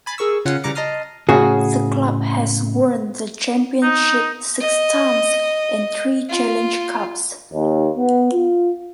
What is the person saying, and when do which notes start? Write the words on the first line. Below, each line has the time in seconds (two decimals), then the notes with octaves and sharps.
The club has won the Championship six times and three Challenge Cups.
0.06 G#5 B5 A6 C7
0.18 G#4 A#4 C#6 E6
0.45 C#3 C#4 F4 F#5 G#5 C7
0.64 C#3 E3 G3 A#5 D6 C#7
0.75 D#5 A5 A#5 C6 D#6 F6
1.29 A2 C#3 F#4 G#4
3.82 D#4
4.60 D#5
6.29 F4
7.53 D#2
7.97 B3
8.32 F4